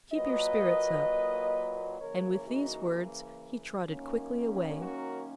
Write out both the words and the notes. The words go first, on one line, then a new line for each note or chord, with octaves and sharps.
Keep your spirits up.' And with these words he trotted quickly away.
A#2 F#3 A#3 B4 D#5
C#3 E3 A#3 A#4 C#5
D#4 F#4
F#2 D#3 A#3 C#4
F#4 A#4